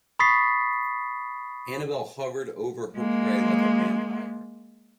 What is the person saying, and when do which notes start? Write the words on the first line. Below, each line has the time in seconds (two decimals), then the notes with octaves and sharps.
Annabel hovered over her prey like a vampire.
0.19 B5 C#6 D#6 A6 B6 C7
2.96 G#3 A#3